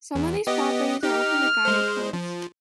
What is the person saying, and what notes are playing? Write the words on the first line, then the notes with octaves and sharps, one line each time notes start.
Some of these properties are open to guided tours.
E2
B3 G4 D#5
D#4 G4 F6
G#3 C5
F3